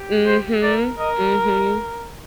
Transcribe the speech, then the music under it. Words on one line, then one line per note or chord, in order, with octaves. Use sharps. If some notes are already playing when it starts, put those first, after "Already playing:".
Mhm. Mhm.
Already playing: G4
C5
A#4 D5
A#4 D#5